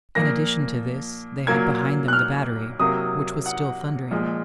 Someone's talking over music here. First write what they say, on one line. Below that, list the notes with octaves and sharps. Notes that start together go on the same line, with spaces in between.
In addition to this, they had behind them the battery, which was still thundering.
A#2 F3 A#3 A#6
A#2 F#3 A#3 G#6
F#6
F6
C3 F#3 A#3 D#6
F#5
A#2 F3 G#3